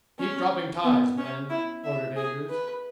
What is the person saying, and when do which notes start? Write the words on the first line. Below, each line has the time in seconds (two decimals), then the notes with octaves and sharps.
"Keep dropping ties, men," ordered Andrews.
0.19 C#4
0.84 B3
1.18 C#4
1.50 E4
1.84 E5
2.17 G#4
2.49 B4